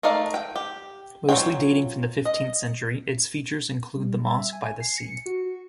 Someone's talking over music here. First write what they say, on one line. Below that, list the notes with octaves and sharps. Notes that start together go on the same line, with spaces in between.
Mostly dating from the fifteenth century, its features include the Mosque by the Sea.
A3 D#4 A#4 D5 F5
G5
G4
F#3 C4 F4 C#5 G5
D#5
G3
E5
G#5
C7
C#7
F#4